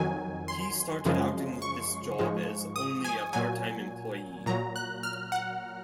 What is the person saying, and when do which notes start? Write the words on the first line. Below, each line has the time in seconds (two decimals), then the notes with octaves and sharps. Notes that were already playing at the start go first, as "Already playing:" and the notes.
He started out in this job as only a part-time employee.
Already playing: F2 D#3 F#3 G#5
0.48 C6
1.05 F#2 C#3 F3 G#3
1.62 C#6
2.19 G#2 F3 G#3
2.76 D#6
3.04 G#5
3.33 A#2 F#3 G#5
4.46 A#2 F#3 A#5
4.76 F#6
5.03 F6
5.32 F#5